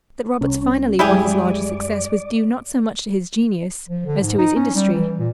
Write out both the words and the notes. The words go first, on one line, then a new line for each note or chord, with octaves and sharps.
That Roberts finally won his larger success was due not so much to his genius as to his industry.
C2 C#4
F#2 G3 G#3 E4 G4 G#4 D5
F3
D3
G#2
D#4
C#4
G3
E3
A#2